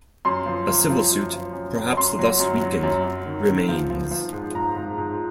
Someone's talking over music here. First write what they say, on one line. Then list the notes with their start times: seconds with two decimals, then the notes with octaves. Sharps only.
A civil suit, perhaps thus weakened, remains.
0.25 F#2 C6
0.46 F3
0.68 F3
0.90 F3
1.11 F#2
1.33 F3
1.53 F#2
1.75 F#2
1.97 F#2 C6
2.19 F#3
2.40 F#2
2.61 F#3
2.83 F#2
3.04 F#2
3.26 D#3
3.47 D#3
3.69 F3
3.90 F3
4.11 F3
4.33 G#2
4.54 G#2 A#5
4.76 G#2
4.98 G#2